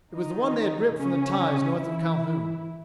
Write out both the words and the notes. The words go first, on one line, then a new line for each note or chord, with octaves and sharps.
It was the one they had ripped from the ties north of Calhoun.
D#3 D#4
C#3 C#4
E3 E4